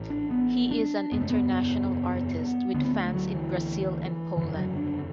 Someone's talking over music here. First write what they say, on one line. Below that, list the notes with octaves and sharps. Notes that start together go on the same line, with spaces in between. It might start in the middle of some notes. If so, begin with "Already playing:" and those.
He is an international artist with fans in Brasil and Poland.
Already playing: A1 A2
D4
B3
D4
F#1 E2 B2 B3
A3
B3
D2 D3 B3
B3
A3
F#3
E3
F#1 E2 D3 E3
E3
F#3
D4